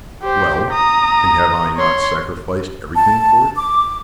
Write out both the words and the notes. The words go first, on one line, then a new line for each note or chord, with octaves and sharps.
"Well, and have I not sacrificed everything for it?"
G4 C5
A#5 D#6
C#5 C6
A5
D6